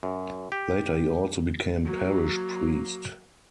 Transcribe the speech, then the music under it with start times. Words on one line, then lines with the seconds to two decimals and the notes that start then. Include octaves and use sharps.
Later he also became parish priest.
0.03 F#2
0.52 G4
1.84 F#3 A#3